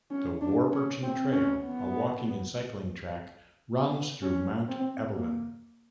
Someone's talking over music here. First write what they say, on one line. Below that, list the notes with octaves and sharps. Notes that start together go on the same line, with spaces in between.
The Warburton Trail, a walking and cycling track, runs through Mount Evelyn.
C#4
D4
C#4
C4
C#4
B3
B3
C#4
C4
A#3